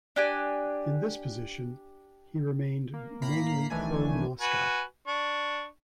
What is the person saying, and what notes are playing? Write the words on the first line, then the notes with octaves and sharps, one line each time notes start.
In this position, he remained mainly pro-Moscow.
D4 G4 G#5
A#3
A2 A#3 A#5 B5 B6 C7
B1 D#3 E3 A3 D4 G#5
F#4 B4 G#5
D4 C#6